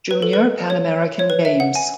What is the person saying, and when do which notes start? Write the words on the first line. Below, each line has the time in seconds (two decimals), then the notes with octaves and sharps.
Junior Pan American Games.
0.11 B4
0.22 A4
0.33 B4
0.70 C#5
1.19 C#5
1.30 B4
1.45 E5
1.60 F#5
1.75 G#5